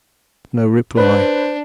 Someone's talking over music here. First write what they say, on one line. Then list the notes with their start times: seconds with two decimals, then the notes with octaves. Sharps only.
No reply.
0.97 D4 B4 C5